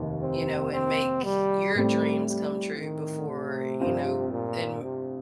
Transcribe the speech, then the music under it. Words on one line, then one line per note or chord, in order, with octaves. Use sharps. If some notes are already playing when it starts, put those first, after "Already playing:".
you know, and make your dreams come true before, you know, and
Already playing: F1 D#2 D#3
C4
C4
G3
A2 G3 A3 C4
G3
D#3
C3
G2 F3 C4 F4
A#2
C3